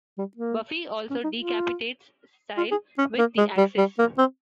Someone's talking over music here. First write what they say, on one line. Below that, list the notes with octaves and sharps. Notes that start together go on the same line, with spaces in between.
Buffy also decapitates Cecile with the axes.
G3
A#3
C#4
D#4
F4
F4
G#4
C#4
A#3
G#3
G3
G3
A#3
C4